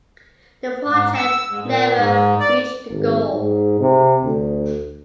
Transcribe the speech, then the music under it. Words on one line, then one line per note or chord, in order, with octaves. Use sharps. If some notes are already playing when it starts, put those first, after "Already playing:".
The project never reached the goal.
G#2
E6
G#2
A#2
G#2
D5
G#1
G#2
C3
D2